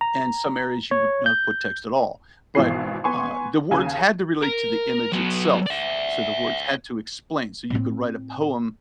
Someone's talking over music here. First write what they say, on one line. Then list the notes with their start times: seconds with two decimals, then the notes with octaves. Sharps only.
and some areas, you would not put text at all, but, uh, the words had to relate to the image itself, so the words had to explain, so you could write a poem
0.01 A#5
0.91 C#5
1.26 G6
2.55 G#1 B2 E3 C7
3.04 B3 G#5 C6 C#6
3.71 D#2 C#3 G#5
4.43 A#4
5.13 F#3 B3
5.66 D5 E5
7.70 A2 C4